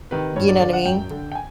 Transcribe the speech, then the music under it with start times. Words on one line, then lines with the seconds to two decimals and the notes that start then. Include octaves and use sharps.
you know, what I mean?
0.11 C3 D#3 B4
0.36 G2 C#5
0.49 D5
0.61 D3 D5
0.73 F#5
0.85 F#2 G5
1.10 D3
1.32 G5
1.35 G#5